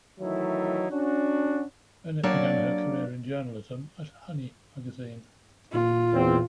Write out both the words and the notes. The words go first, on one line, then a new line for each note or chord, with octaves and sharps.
Bennett began her career in journalism at "Honey" magazine.
D#3 E3 F#3 A3 D#4 E4
C#4 D4 F#4
F#3 A#3 D4 C#5 D5
A#2 F4
E2 C4